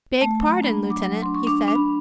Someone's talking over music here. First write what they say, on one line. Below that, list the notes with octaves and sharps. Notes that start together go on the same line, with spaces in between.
"Beg pardon, lieutenant," he said.
A3 A5
A5
F#3
A#5
D4 B5
F#3
D6
F#3
D4 C6
C#6
D4 D6
D4
B5